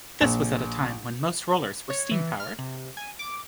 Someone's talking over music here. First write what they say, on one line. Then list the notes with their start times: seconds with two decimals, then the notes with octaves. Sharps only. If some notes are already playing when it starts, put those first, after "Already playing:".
This was at a time when most rollers where steam powered.
0.21 A#1
1.90 C#5
2.11 E3
2.40 F6
2.59 C3
2.97 G#5
3.19 D6